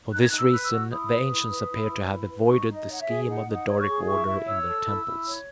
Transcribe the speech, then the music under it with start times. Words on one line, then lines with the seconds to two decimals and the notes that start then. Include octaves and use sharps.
For this reason, the ancients appear to have avoided the scheme of the Doric order in their temples.
0.10 D#4 F#6
0.20 G#6
0.29 D#4 F#6
0.37 E6
0.50 B4
0.64 E6
0.70 F#4
0.90 E4 D#6
1.10 B4
1.29 E4
1.49 B4
1.69 E4
1.89 B4
2.09 E4
2.29 B4
2.48 D#4 C#6
2.68 D#4
2.75 D#5
2.88 C#5 F#5
3.01 E5
3.08 G#4
3.27 D#4 F#5
3.47 D#4
3.54 F#5
3.67 C#5
3.80 C#6
3.87 G#4
4.06 E4 C#6
4.26 E4
4.46 C#5 E6
4.66 A4
4.86 E4
5.06 E4
5.25 C#5